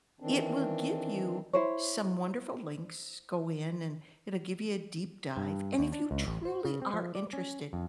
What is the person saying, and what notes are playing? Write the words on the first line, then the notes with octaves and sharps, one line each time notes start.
It will give you some wonderful links, go in and it'll give you a deep dive, and if you truly are interested,
D#3 E3 C4 D4
E4 C5 C#5
G2
D#2
D4
C#2
A1
C5
C#3
C4
F3
D5
C#4
F2